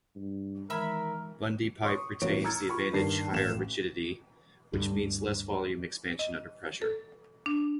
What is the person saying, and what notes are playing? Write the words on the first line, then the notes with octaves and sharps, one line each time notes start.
Bundy pipe retains the advantage higher rigidity, which means less volume expansion under pressure.
G2
D#3 E3 G#3 A#4 E5 B5
C#5 C6 C#6 D#6
A1 E3 A#3 F#4 C#5 D7
A#5 E6 F6 G#6 A6 C#7
F4 B5 C#6
G2 D#3 C7
A1 E7
D2 G2 D3
D#5
A4
D4